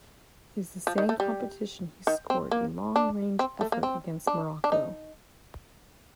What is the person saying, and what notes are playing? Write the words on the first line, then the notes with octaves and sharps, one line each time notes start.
In the same competition, he scored a long range effort against Morocco.
F3
D#3
A3
G3
D#3
C4
A#3
D4
C4
A3
A#3
C4
D4
D4
D#4